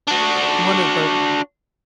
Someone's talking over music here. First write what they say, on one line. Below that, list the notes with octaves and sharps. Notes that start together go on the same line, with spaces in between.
one of the l
D4 F#4